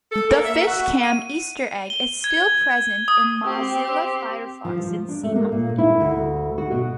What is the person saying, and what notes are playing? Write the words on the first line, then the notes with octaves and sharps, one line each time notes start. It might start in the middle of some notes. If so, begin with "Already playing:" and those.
The Fishcam easter egg is still present in Mozilla Firefox and SeaMonkey.
A4
A#3
E5
F#4
D#7
G7
G#6
D#6
C4 G4
F3
F3
D4
A3
A#3
A#2
E4
D2
F#4
B2